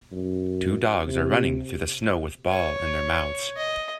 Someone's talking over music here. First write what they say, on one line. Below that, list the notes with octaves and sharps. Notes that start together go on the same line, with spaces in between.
Two dogs are running through the snow with ball in their mouths.
F#2
C3
C#5
D#5